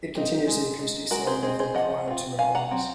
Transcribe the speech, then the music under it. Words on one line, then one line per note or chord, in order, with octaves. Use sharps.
It continues the acoustic sound of the prior two albums.
C4 D#4
G#3
D#4
G#3 F#4 A#4
G#4 C5
C4 D#4 G#4 C5
G#4 C5
F3 D#5 F#5
C4 F4
D#3 F5 G#5
F#5 A#5
F#3 C4